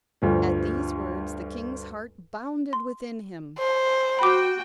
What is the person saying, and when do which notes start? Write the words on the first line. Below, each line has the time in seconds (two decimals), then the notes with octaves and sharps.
At these words the king's heart bounded within him.
0.22 D2 G2 F3
2.73 C6
3.59 C5
4.19 F#4 G5 B5 D6